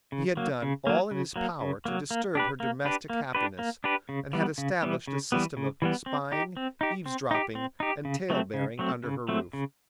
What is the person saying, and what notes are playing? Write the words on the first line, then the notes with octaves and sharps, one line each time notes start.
He had done all in his power to disturb her domestic happiness, and had established a system of spying, eavesdropping, and talebearing under her roof.
C#3
F#3 A#3
C#3
F#3 A#3
C#3
F#3 A#3
C#3
F#3 A#3
A#3
D4 G4 B4
A#3
D4 G4 B4
A#3
D4 G4 B4
A#3
D4 G4 B4
C#3
E3 G3 B3
C#3
E3 G3 B3
C#3
E3 G3 B3
C#3
E3 G3 B3
C4
D#4 G4
C4
D#4 G4
C4
D#4 G4
C4
D#4 G4
C#3
F#3 A3 C4
C#3
F#3 A3 C4
C#3
F#3 A3 C4
C#3